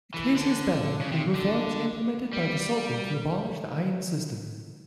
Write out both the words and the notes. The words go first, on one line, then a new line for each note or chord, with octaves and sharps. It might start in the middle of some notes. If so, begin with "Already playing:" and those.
The "casus belli" were reforms implemented by the Sultan to abolish the ayan system.
E3
D3
C#3
C3
D3
G3